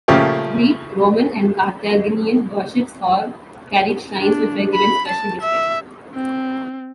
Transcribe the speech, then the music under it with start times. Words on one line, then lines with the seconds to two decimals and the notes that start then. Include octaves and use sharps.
Greek, Roman, and Carthaginian warships all carried shrines which were given special respect.
0.08 A#2 C#3 F3 A3 G4
4.19 D4
4.74 B5
5.08 A5
5.41 E5
6.14 C4